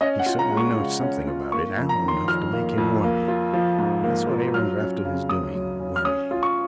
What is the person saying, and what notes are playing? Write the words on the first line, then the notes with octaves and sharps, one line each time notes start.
But he certainly knows something about it, and enough to make him worry. That's what Aaron Grafton is doing--worrying.
C#4 D#5
F#5
F4
A#5
G#3
C#6
C#3
C#4
F4
A#3 C#6
F2
A#5
D#3
C6
F2 F6
A#3
F2
A#3
F4
F3
G#2
A#3
F4
F#3 F6
C#4
C#3
F#2 D#6
F#3
C#4
F6
C#4 D#6
F4
C#6